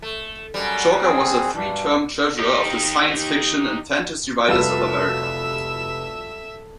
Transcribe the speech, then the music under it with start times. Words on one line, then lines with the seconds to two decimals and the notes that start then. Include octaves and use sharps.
Chalker was a three-term treasurer of the Science Fiction and Fantasy Writers of America.
0.02 A3
0.54 F#2 B2 G3
1.04 C4 G#4
1.56 G2 D4
2.39 D#4 G4
4.49 F1 G3 F4 F#4 A4 B4 E5 E6